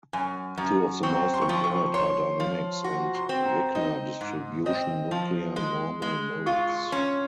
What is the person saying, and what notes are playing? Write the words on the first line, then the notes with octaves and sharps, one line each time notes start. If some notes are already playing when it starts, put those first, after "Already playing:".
Two of the most employed are dynamics and Wigner distribution nuclear normal modes.
F#2 G#5
F#2 A#5
C4 C#6
C6
C#6
F3 C6
C#6
C#5 C6
F3
F#4
C6
C4
A#5
D#4 D#5
G#2
C4 D#5
F3
G#3
G#3
F4 C#6
C#6
C#4 C6